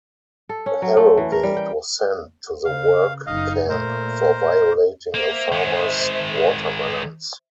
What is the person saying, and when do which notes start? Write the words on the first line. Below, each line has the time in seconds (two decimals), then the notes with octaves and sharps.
Harrogate was sent to the work camp for "violating" a farmer's watermelons.
0.49 A4
0.66 C#4
0.82 F#3
0.97 A3
1.17 E3
1.32 A#4
1.43 G3
1.56 G5
2.65 C#3 F5
3.27 F#1 D#4 D#5 F5
3.69 A#2 A3 A#4 C5
5.14 A#3 C5 E5
5.52 D#3 G#3